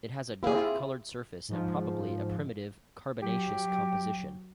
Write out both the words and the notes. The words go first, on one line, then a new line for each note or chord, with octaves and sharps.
It has a dark-colored surface and probably a primitive carbonaceous composition.
A#3 E4 G4 G#4
C4 E4 F4
G#2 F3
F#3 G4